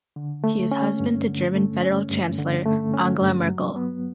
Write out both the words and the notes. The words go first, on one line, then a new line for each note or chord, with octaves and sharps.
He is husband to German federal Chancellor, Angela Merkel.
D3
A3
C#4
G2
D3
A3
C#4
G2
D3
A3
C#4
G2
F#3
B3